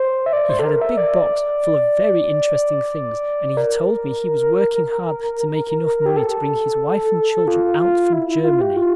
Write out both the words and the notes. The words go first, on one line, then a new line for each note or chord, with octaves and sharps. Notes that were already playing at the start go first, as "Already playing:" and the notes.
He had a big box full of very interesting things and he told me he was working hard to make enough money to bring his wife and children out from Germany.
Already playing: C5
E5
D5
C5
A4
A#4
E5
D5
A#4
G4
A4
F4
F4
E4
E4
F4
G4
F4